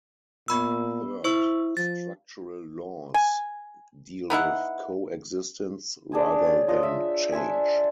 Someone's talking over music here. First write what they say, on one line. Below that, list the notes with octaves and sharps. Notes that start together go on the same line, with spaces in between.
Third, structural laws deal with co-existence rather than change.
A#2 B3 B5 E6
E4 C5 C#6 E6
F3 A6
G#5
B3 D#4 E4 F#5
D4 G#4 G#5 D#6
C#5
D4 F4 D#5
E5
D4 C5 E5 G#5